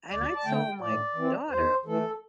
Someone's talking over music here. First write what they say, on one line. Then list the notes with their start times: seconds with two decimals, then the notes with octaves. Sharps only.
And I told my daughter,
0.10 D2 D5
0.36 A5
0.45 D3 A3 G5
0.81 A2 D5
1.15 E3 C4
1.50 E2 C5
1.85 E3 A3 A4